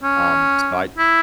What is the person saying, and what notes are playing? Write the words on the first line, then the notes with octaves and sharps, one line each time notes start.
um, so I
C#4
E4